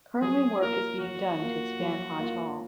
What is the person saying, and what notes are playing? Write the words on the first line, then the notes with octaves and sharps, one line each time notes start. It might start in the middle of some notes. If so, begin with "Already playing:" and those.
Currently work is being done to expand Hodge Hall.
F#3 G#4
A#3 F4 A#4
F#3 F#4
A#3 F4
F#3
A#3 F4